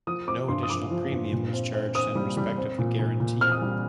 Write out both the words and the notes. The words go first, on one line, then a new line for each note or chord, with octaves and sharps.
No additional premium was charged in respect of the guarantee.
F3 D#6
C4 D6
G2 C6
D#6
F3 D6
F3
G2
A#2
C4
C4
C4 D#6
G3
G3
C4
A#2
A#2
A#2
C4 F6
D#6
G3